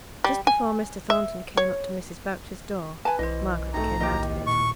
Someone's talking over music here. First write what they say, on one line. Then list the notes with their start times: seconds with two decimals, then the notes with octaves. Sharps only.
Just before Mr. Thornton came up to Mrs. Boucher's door, Margaret came out of it.
0.24 G3
0.47 G#5
1.10 E5
1.57 C#5
3.05 B4 G#5 A5
3.19 B1 E3 C5 D#5
3.74 G#1 A3 A#5
4.00 D1 D#2 G4 D#5
4.47 A#2 C#6